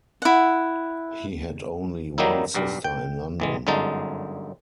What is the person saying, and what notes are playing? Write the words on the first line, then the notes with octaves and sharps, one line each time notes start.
He had only one sister in London.
E4 F#5
D#3 F#3 G3 A#3 D#4 E4
B1 G2 G3
G5
A1 E3 G#3
G1 F#2 D3 G#3 D#4 A5